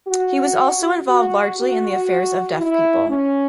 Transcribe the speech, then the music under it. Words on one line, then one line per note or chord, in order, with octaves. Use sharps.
He was also involved largely in the affairs of deaf people.
F#4
F#4
F#4
E4
C#4